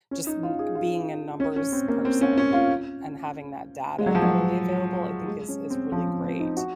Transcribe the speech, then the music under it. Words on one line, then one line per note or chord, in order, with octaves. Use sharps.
just n being a numbers person and and having that data readily available, I think, is is really great.
C#4
D#4
F4
G#4
F4
C#4
C#4
C4
A#3
C4
C#4
C#4
F4
G#3
F#3
F3
F#3
G#3
C#4
C4
F3
C4
C4
D#4
F#4